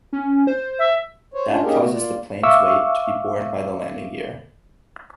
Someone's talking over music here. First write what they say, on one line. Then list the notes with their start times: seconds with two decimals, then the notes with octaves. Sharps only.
That causes the plane's weight to be borne by the landing gear.
0.13 C#4
0.47 C5
0.79 E5
1.34 C5 C#5
1.49 C#4 D4 F4
1.64 A#3 C#4 D#4 G4 G#4 A#4
1.80 C3 A3 B3 F#4
1.93 A#3 F4 D5
2.43 E5 F5 C#6 D6 E6